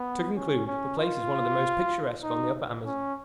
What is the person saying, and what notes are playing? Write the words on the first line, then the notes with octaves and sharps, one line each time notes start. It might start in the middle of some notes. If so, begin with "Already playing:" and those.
To conclude, the place is one of the most picturesque on the Upper Amazon.
Already playing: B3
C#4
C#4
F4
D#4
C#4